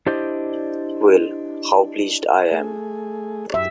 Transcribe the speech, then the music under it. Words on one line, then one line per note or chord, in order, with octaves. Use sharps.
Well, how pleased I am!
D4 E4 G4 C5 D5 D#5
A3 G#4
F#2 G4 E5